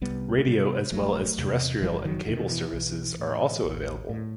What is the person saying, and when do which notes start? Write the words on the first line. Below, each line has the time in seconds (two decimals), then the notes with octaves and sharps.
Radio, as well as, terrestrial and cable television services are also available.
0.01 C2 G3 B3
0.38 A3
0.46 C3 G3 B3
0.91 E1 F#3 A3
1.38 E2 C3
1.82 F#1 E3 G3
2.05 D#3 F#3
2.28 E2 B2 D#3
2.51 E3
2.73 B1
3.19 A2
3.64 A1
4.09 A2